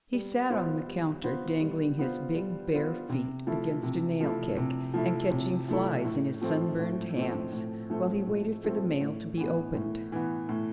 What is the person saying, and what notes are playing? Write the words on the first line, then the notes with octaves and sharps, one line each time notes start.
He sat on the counter dangling his big bare feet against a nail-keg, and catching flies in his sunburned hands, while he waited for the mail to be opened.
G3
B3 F4 C5
G3
B3 F4 C5
G3
B3 F4 C5
G3
B3 F4 C5
C3
F3 A3 E4
C3
F3 A3 E4
C3
F3 A3 E4
C3
F3 A3 E4
A2
F3 A3 C4
A2
F3 A3 C4
A2
F3 A3 C4
A2
F3 A3 C4
A2
E3 B3
A2
E3 B3
A2